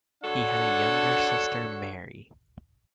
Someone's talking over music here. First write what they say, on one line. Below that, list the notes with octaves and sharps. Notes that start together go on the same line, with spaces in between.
He had a younger sister Mary.
D3 D4 F#4 A4 C#5 F#5